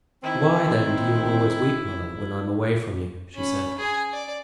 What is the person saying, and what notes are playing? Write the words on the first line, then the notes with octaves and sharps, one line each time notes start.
"Why, then, do you always weep, mother, when I am away from you?" she said.
D#3 C4 E4
C#4 B5
G#4 G#5
D5